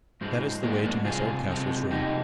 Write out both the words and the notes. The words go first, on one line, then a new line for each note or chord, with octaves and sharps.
That is the way to Miss Oldcastle's room.
G#2 F3 G#3
G#2 F3 G#3 A#3 D4
C4
A#3 D4
C3 F3 G#3 F4 G#4
C3 F3 G#3
F2 C3 F3 G#3 D#4 G4